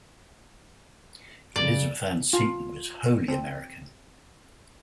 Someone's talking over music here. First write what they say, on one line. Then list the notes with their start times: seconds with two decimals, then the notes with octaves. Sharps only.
Elizabeth Ann Seton was wholly American!
1.56 C#3 D5
2.33 F4
3.28 C4